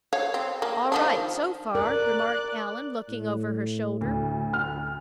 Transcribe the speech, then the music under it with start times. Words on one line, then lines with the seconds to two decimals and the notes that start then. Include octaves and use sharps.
"All right, so far," remarked Allan, looking over her shoulder.
0.13 C#5 F5
0.34 C4
0.62 A#3
0.92 D#3 F3 D4
1.75 A#4 D5 F#6
3.09 A2
4.01 D2
4.53 F6